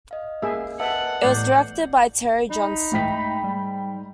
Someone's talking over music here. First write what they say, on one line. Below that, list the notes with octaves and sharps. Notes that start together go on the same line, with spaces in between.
It was directed by Terry Johnson.
D#5 F5
A#3 G#4 E5
B4 D#5 E5 F#5 A5
E2 A2 A4 D5 G6 C7
D#4 B5
G#2 A3 G5 B6
G3